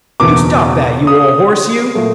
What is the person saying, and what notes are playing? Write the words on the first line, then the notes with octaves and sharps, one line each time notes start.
"You stop that, you ole horse, you!"
F#1 E2 B2 D6
D#6
A#2 F#3 A3